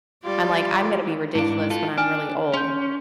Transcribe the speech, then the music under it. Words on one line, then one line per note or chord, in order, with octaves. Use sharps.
I'm like, I'm gonna be ridiculous when I'm really old,
G3 F4 G4 D5
G#2 D4 E4 F5
F4 A4
D4 G5 G#5 F6
C#4 C6 G6